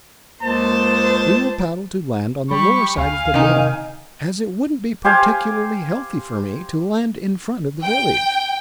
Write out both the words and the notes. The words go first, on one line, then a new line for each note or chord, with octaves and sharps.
We will paddle to land on the lower side of the bluff, as it wouldn't be particularly healthy for me to land in front of the village.
C#2 A#3 C5 A5
G3 G4 B5 C#6
D2 F5 G#5
C3 D#3 D#4
G4 C5 F5 G#5
G5